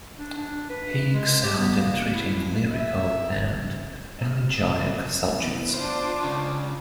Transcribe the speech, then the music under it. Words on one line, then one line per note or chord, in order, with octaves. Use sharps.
He excelled in treating lyrical and elegiac subjects.
D4
D4
B4
G#3
G4
B3
A#3
E4
E5
E3 B3
D4 F4 C5
C#2 C#3